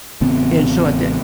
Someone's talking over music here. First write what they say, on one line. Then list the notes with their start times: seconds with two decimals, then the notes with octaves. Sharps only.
And, so, at that
0.21 A1 C#3 B3 C4